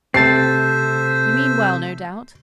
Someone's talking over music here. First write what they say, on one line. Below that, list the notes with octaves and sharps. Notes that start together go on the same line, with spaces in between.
'You mean well, no doubt.
C3 A3 C4 C5 E5 A5 A6 C7